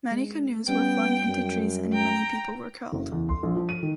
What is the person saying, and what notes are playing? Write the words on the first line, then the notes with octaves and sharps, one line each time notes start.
Many canoes were flung into trees and many people were killed.
G#3
G3 B3 C#4 G5
F#2
G5 A#5
F#1
E2
C6
A#1
F3
D#7
D#3